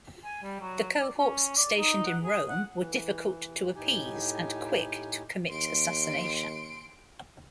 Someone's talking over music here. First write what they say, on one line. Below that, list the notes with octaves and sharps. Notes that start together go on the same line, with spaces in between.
The cohorts stationed in Rome were difficult to appease and quick to commit assassination.
G#5
G3
F#3
D5
C#4
D5
D#4
F#5
G#4
F#5
E3
A2 D#4 G4 G#5
D#2 C6 D7